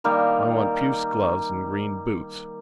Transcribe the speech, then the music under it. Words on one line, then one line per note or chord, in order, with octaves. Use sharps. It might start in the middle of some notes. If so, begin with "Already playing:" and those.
I want puce gloves and green boots.
D#3 G3 A#3 A#4